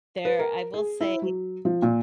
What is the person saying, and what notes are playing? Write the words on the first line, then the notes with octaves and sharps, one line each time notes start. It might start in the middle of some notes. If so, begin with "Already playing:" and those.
There I will say
B4
A#4
G#4
E4
F#3
F3
A#2